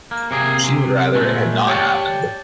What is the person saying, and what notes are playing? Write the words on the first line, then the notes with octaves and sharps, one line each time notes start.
She would rather it had not happened.
A#3
C3 A#3 G#4
C3
A#2 G#3 A3
G4 C#5 D5 A5